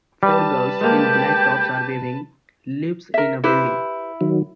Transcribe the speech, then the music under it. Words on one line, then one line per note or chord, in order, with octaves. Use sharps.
Four girls in black tops are weaving leaves in a building.
G3 B4 A5
G#3 A#3 G4 G6
A#4 E5
E4 G4 B4 C5
D#3 F#3